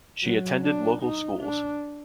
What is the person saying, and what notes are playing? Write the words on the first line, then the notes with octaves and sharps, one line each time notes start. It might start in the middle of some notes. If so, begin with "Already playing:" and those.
She attended local schools.
F#3
D4
D#4
D4